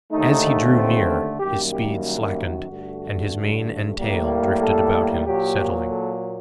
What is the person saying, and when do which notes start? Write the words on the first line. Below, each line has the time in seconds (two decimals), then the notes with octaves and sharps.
As he drew near, his speed slackened, and his mane and tail drifted about him settling.
0.12 D#2 D3 A3 D#4
0.76 C4
1.40 F#2 D#3 G3 A#3 G4
1.72 G4
2.04 F#4
2.69 G2 D3 A3
3.97 A2 G3 A#3
4.62 A4
5.26 A#2 F#3 A#3 G4
5.90 A4